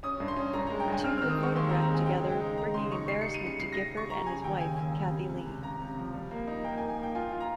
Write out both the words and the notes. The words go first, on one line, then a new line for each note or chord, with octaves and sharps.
The two were photographed together, bringing embarrassment to Gifford and his wife, Kathie Lee.
C#4 D#6
G2
C6
C#4
G2 A#5
G#3 A#5
G5
G2 G#5
C4 F6
D#3 F6
D#6
G#3 C#6
D#2 C6
C4 A#5
A#5
G#3
G#5
C#3 G5
G#3
G5
D#4
G#3 A#5
C#3 C6
D#4 C#6
G3 C7
G3 C#7
D#7
C#3 C#7
G3 C7
G3 A#6
G3 C#6
G3 A#5
C#3 G#5
D#2 G5
C#3 G#5
D#2
G3
C3
C#2
C#2
C#2 A#5
C3
F3
G3
A#3
D#4
A#3 G5
G#5
A#3
G#5
A#3 G5
F4 G#5
F4
A#5